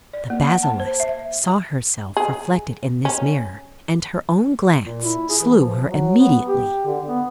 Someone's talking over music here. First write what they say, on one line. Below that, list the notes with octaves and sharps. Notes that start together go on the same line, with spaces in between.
The basilisk saw herself reflected in this mirror, and her own glance slew her immediately.
D5
A#3
F#5
A5
C5
E5
G#4
C#4
A#2
E4
G#4
E3
F3
F#3
B3
G4
D3
B3